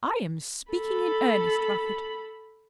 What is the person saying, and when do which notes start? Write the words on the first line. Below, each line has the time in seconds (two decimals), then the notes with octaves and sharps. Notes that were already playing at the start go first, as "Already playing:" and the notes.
I am speaking in earnest, Rufford.
0.72 A4 B5